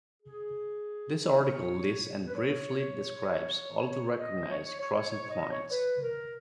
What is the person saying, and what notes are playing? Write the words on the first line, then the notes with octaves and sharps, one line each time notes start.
This article lists and briefly describes all of the recognised crossing points.
G#4
C#5
B4
C#5
C#5
D#5
C#5
C#5
C#5
D#5
C#5
B4
A#4